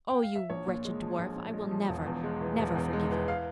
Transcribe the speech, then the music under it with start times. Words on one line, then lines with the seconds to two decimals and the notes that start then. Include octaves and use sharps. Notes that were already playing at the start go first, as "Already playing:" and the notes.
Oh, you wretched dwarf, I will never, never forgive you!'
0.10 G5
0.23 F5
0.36 E5
0.50 A#1 C#5
0.67 A#2
0.85 G#3
1.02 F3
1.19 A#1
1.36 A#2
1.54 G#3
1.71 F3
1.89 E1
2.06 E2
2.24 G#3
2.41 E3
2.58 E1
2.75 E2
2.93 G#3
3.11 E3
3.28 F5